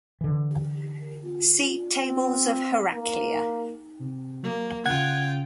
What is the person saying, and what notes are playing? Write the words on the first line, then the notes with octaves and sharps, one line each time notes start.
See Tables of Heraclea.
D3 E3
C4
A#3
C3
F#3 A#3
C#3 F4 F#5 G5 G#6